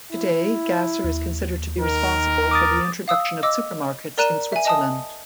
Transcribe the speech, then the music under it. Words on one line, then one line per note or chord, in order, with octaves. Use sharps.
Today Gasser is considered to be responsible for the introduction of supermarkets in Switzerland.
E4
D#2
D#3 A#4
D6 D#6 A6
F5 D#6 E6
D#5 D6 E6
A#4 D5 A#5 F#6 D#7 E7
E5 G#5
D#5 A5 D#6